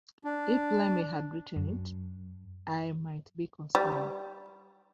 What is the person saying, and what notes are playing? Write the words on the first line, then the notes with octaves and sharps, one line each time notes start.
If Lemmy had written it, I might be concerned.
D4
F#2
G3